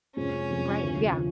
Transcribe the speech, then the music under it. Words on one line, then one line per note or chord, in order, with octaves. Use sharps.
Right, yeah.
F2 C3 F3 G#3 C4 C#4
F2 C3 F3 G#3 C4
D2 C3 F3
F3